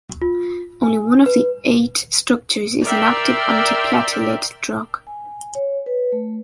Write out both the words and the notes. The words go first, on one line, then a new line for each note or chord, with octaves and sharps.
Only one of the eight structures is an active antiplatelet drug.
F4
G#5
B4
A#4 D5 E5 G5 C6
G#5
C#5
B4
A3